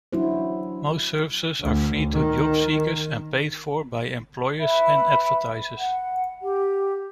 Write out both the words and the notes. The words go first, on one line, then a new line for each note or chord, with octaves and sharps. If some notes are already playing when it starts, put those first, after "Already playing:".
Most services are free to job seekers and paid for by employers and advertisers.
F#3 C#4 D4 E4 F#4 C5
D2
D#3
B4 E5 B5
F#5
G4